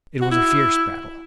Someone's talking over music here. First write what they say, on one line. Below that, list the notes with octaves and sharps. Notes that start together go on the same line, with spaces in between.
It was a fierce battle.
F#4
E4